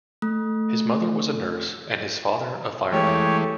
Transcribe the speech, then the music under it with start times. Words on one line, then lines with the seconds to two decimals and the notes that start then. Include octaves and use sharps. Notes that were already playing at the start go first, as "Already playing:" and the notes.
His mother was a nurse and his father a fireman.
0.22 A3
2.92 E3 G#3 A3 G4 C#5